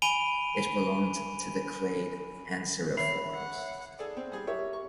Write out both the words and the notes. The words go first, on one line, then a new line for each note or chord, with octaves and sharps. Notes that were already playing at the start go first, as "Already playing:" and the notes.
It belonged to the clade Anseriformes.
G#5 B5 D7 D#7 F7 G7
C#5 E5 B5 C7
F#5
G#4 A4 D5
C4
G3 G#4
G4 A#4 C#5 E5
C#6